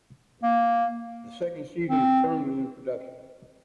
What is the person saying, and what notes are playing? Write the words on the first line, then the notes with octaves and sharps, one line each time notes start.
A second season is currently in production.
A#3
C4